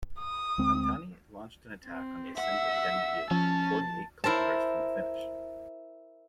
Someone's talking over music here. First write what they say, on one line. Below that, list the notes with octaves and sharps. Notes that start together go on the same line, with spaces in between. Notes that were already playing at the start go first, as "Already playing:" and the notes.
Pantani launched an attack on the ascent of Galibier, forty-eight kilometers from the finish.
D#6
D2 G#3 C4
C4
E5 F#5 E6
F3 C#4 A5
E4 A#4 C5 A5